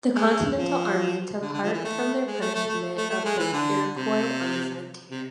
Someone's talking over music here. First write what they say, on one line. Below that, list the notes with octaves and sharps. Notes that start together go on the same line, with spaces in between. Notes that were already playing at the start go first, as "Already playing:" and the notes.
The Continental Army took heart from their punishment of the Iroquois on the frontier.
G#3
F3
D3
D3
F3
E3
A3
G#3
A3
A3
A3
A3
A3
G#3
E3
D3
C3
C3